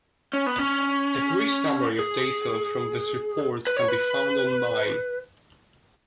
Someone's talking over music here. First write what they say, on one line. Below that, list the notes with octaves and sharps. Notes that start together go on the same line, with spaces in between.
A brief summary of data from this report can be found online.
C#4
B3
C#4
G#4
B4
C#5
B4